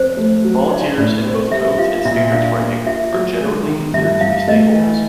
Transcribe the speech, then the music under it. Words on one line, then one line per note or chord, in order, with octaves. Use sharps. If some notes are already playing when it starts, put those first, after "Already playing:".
Volunteers in both codes and standards writing are generally considered to be stakeholders.
Already playing: F2 C5
A3
F#3
D4 D5
A2
C4
G3 E5
F4 F5
A#2 E5
D4 F5
A#3
F4 E5
F#3
G#3
D#3
G2 E5
G2 F5
A3 D#5
E3